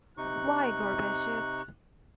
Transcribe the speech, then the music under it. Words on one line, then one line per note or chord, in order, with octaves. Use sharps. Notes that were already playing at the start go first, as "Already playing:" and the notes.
Why Gorbachev?
C3 D#4 C#6 F#6